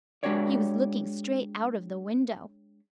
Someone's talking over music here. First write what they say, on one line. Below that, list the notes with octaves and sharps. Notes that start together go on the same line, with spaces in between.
He was looking straight out of the window.
G#3 D4 F#4 G4 C#5 D5